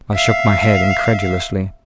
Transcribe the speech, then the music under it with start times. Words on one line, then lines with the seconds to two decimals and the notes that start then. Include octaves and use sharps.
I shook my head incredulously.
0.14 E5 F5